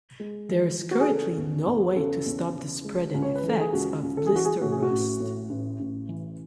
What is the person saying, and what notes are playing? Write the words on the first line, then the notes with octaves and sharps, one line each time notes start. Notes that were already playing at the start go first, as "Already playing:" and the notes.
There is currently no way to stop the spread and effects of blister rust.
G#3
E3
E3
F#4
G#4
C#3 A4
E2
E2
C#3 A4
E2
C#3
G#3
C#2
C#5
B4
E3 A4
G#4
C#2 F#4
C#2
A4
G#4
E3 F#4
G#4
A2 F#4
G#4
F#4
A1
A2
A1
A1
E3